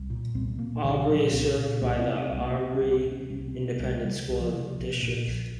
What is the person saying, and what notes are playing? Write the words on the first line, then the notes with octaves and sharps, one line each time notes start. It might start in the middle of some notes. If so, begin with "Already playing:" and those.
Aubrey is served by the Aubrey Independent School District.
Already playing: C2
A#2
C2 C4
A#2 A#3
C2 D#3
A#2 F3
C2 C4
A#2
C2 A#3
C4
C3
C4
C2
A#3
C3 C4
C#4
C2
C4
C3
C#4
C2 C#4
C4
C3
C2
G#3
C3 G3
C2
F3
C3
A#1
A#2
A#1